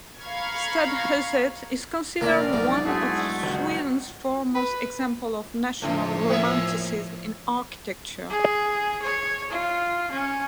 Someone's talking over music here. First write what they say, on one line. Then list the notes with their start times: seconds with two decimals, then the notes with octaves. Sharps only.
Stadshuset is considered one of Sweden's foremost examples of national romanticism in architecture.
0.22 F5 A#5 B5 C#6 F6 G#6
2.21 F1 A#1 A#3 F4 A#4 D5
2.53 B1 G#2 E3
2.85 G#3 A3 D4 E4 F#4 G#4
3.43 G1 C#2 F#4
4.55 B4
5.82 A2 C#3 F3 A3 C#5
6.30 A#3 C5 E5
8.30 G#4
9.02 C#5
9.50 F4
10.11 C#4